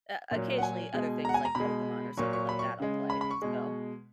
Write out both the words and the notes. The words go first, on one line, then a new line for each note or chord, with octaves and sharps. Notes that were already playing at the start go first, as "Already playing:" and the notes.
uh, occasionally, other things like Pokemon or something like that, I'll play, so
A#2 F#3
F#5
G#5
B2 G#3
F#5 A#5
G#5
A#5
B2 G#3 B5
A#2 F#3 C#6
C#6
B5
C#6
C#3 G#3
B5
B5
C#6
B2 G#3